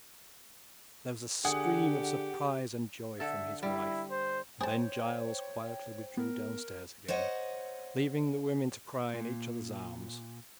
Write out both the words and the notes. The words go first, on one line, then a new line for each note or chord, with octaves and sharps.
There was a scream of surprise and joy from his wife, and then Giles quietly withdrew downstairs again, leaving the women to cry in each other's arms.
D3 G4 G#4 F#5
D3 A4 E5
G3 E4
C5
G#4 C5 C#5 G5 A5
B3 A#4
C5 C#5 D#5 F#5
A#2